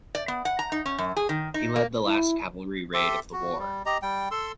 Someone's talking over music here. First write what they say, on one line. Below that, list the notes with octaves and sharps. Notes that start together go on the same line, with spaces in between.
He led the last cavalry raid of the war.
D5
B3
F#5
A#5
D#4
C#4
F#2
G#4
D#3
D#4
A#3
E4
G4 A4 E5 C6
F#4
G3
G4 D#5 A#5
G3 G5
A4 C6 E6